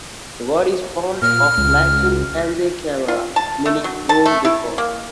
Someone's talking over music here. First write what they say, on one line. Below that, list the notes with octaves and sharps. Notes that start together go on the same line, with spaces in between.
The word is formed of the Latin "ante camera", meaning "room before".
A#2 F6
C#2
F4
A5
A3
F#3
A5
A3
E4
A#3